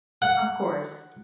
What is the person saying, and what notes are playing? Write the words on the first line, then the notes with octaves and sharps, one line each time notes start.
Of course.
F#5